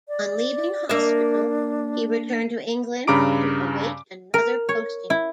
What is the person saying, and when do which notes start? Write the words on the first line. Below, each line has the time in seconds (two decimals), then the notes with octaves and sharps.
On leaving hospital he returned to England to await another posting.
0.08 D5
0.89 A#3 D4 E5
3.07 G2 C#3 A#5 B5 D6 D7
4.34 A#4
4.69 C#5
5.10 E4